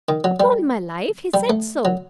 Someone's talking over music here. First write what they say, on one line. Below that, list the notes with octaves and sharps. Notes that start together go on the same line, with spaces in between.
'Upon my life, he said so!
D#3
F#3
G3
G3
A3
F#3